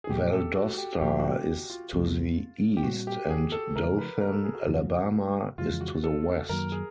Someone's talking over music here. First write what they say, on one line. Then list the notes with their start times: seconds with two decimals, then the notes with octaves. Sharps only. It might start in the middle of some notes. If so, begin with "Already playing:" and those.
Valdosta is to the east, and Dothan, Alabama, is to the west.
0.04 G#4
0.09 A#2 F#3 A3 G4
0.33 A4
0.55 F#4
0.78 G4
1.01 A#2 F3 A#3 G4
1.20 F#4
1.24 G4
1.70 F4
1.93 C2 C3 F3 A3
2.77 G4
2.84 A#2 G3 C4 F#4
3.07 G4
3.30 G#4
3.52 A4
3.75 D2 C#3 F3 A3 A#4
3.98 B4
4.21 A#4
4.32 A4
4.44 G#4
4.55 F#4
4.67 F#2 C#3 F3
5.58 F2 C#3 E3 G#3 F4
5.81 F#4
6.04 A4
6.49 F#2 D#3 F#3 A#3 A#4
6.72 G#4